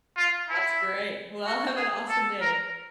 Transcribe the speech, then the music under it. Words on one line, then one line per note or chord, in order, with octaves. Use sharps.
That's great. Well, have an awesome day.
F4
E4
F#4
G#4
A4
A#4